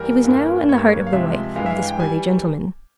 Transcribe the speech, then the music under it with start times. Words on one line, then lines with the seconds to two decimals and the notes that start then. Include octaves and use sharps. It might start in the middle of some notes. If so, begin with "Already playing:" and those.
He was now in the heart of the wife of this worthy gentleman.
Already playing: E2 G3 A#4
0.24 G2 E3 A#3 C#4
0.68 G2 G3 A#3 C#4 C#5
1.07 F5
1.12 C#2 C3 F3 G#3 E5
1.56 G2 E3 G#3 F5
1.66 E5
1.71 F5
1.86 G5
1.99 E3 G3 G#5